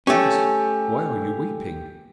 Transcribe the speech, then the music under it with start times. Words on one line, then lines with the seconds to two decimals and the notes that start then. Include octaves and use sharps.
'Yes, why are you weeping?'
0.07 A3 C#4 G4